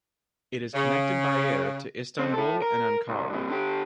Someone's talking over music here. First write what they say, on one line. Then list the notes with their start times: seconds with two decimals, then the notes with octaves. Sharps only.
It is connected by air to Istanbul and Ankara.
0.74 C#3
2.19 F2 C4
2.34 E4 A4
2.62 A#4
3.09 C2
3.30 G2 C3
3.49 D3 G4